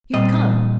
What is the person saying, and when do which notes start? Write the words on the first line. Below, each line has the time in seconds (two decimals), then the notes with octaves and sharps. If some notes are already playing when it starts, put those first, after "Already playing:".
You've come.
0.13 A#2 G3 C4 D#5